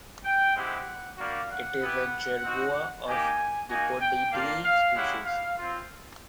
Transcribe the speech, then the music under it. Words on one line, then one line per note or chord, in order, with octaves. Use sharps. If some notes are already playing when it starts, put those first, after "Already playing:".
It is a jerboa of the Dipodidae species.
G5
G#3 C4 E4 G4 F#5
G3 A#3 D4 F#4 F5
F#5
B3 E4 G4
C4 D#4 F#4
A#3 D#4 G4 G#5
A#3 D#4 F#4 G#5
G5
A#3 D4 F4 F5
F5
G#3 C#4 E4 G4 F#5
F5
C4 F4